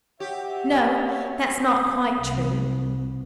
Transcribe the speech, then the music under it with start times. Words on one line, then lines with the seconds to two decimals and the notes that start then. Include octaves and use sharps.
No! that's not quite true.
0.20 F#4 G4 C#5 E5
2.18 C2